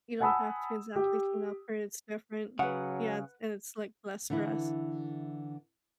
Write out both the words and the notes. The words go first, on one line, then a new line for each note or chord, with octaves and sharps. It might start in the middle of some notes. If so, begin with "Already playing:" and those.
you don't have to exactly clean up per. It's different. Yeah. And it's, like, less stress.
F#5 G#5 A5 B5 D#6 E6
G4
C#3 F#3 B4 F#5
D3 E3 E4